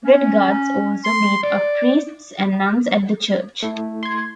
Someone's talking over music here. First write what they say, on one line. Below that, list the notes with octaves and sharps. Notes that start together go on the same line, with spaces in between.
Red Guards also beat up priests and nuns at the church.
C#4
C6
D5
A3 E4
C6 G#6